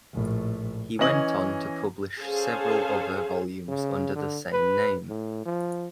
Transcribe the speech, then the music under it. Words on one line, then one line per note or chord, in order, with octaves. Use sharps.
He went on to publish several other volumes under the same name.
A#1 A2
E3 C#4 D#5 F#7
C#4 G#4 A4 C5 F5 G#5
C#3
D3
B4
A2
F3